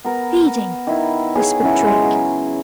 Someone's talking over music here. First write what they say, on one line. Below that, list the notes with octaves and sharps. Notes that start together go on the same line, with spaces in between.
"Feeding!" whispered Drake.
B3 A#4
D#3 E4
G#4 C#5
C#3 F#3 E4
G#3
F#3